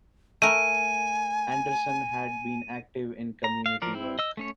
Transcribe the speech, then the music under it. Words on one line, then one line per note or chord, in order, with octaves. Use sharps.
Anderson had been active in community work.
A3 A#4 G#5 D#7
A#5
F5
F3 A#4 D5
C4 E4
D#5 E6
A3 C#4 C#5